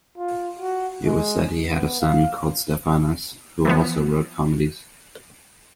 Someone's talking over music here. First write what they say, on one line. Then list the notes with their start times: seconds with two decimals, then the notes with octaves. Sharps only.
It was said he had a son, called Stephanus, who also wrote comedies.
0.18 F4
0.60 F#4
1.05 G#3
1.64 B3
2.00 F5
3.65 E3 F3 B3